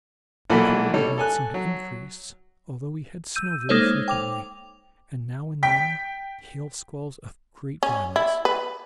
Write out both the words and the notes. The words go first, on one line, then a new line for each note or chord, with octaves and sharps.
The cold did not seem to increase, although we had snow very frequently, and now and then hail squalls of great violence.
B1 A#2 E3 F#3 A4 B5
G3 A4 C#5
A4 G#5 F#6
F#3
E6 G6 D#7
G#3 A#3 D#4 A4 C5 C#5
G5 D6 F7
G5 B6
C#4
E4
B4